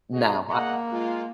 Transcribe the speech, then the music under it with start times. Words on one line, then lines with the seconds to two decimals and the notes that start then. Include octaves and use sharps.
No, I
0.13 F#4 G#4 D#5
0.49 G#3 A#3 D#5 F#5
0.92 G#3 F4